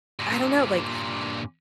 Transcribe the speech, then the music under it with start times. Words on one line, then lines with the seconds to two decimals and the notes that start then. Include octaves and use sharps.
I don't know, like
0.20 G2 A#2